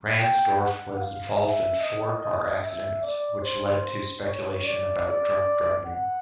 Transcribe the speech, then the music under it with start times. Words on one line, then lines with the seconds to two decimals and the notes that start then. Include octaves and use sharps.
Ransdorf was involved in four car accidents, which led to speculation about drunk driving.
0.17 G5
0.58 F#5
0.99 F5
1.40 E5
1.80 D#5
2.20 D#5
2.62 E5
3.02 D5
3.42 C5
4.24 C#5
4.65 D5
5.05 D5
5.86 F#5